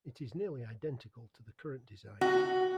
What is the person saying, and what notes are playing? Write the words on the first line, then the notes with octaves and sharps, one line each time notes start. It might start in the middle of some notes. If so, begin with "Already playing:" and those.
It is nearly identical to the current design.
F#4